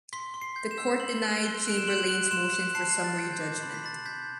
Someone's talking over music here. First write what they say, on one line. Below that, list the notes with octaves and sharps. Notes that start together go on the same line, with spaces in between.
The court denied Chamberlain's motion for summary judgment.
C6 B6
C6
C7
G6
E7
E6
C6 F#7
F#6
C6 G7
F#6 D7
E7
C6 F#7
F#6
C6 E7
F#6
A5 C7
A5
A6
G6
G6
D6
B5 A6
B6
B5 A6
G6 B6